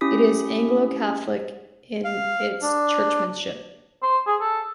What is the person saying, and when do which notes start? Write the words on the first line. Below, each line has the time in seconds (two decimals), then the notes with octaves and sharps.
It is Anglo-Catholic in its churchmanship.
0.01 C#4 E4 G4 D#6 B6
2.04 F5
2.62 D4
4.03 C5
4.27 G#4
4.41 A4